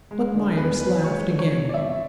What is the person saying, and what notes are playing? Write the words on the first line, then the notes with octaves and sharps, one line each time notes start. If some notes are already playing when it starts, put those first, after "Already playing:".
But Myerst laughed again.
G#3
D3
E2 B4
F#1 B4
G#3 C#5
D3
C#5
E2
D5
G#1 E5